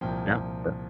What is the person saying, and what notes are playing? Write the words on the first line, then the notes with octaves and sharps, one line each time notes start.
Yeah. Yeah.
C2 A#2 F3 G5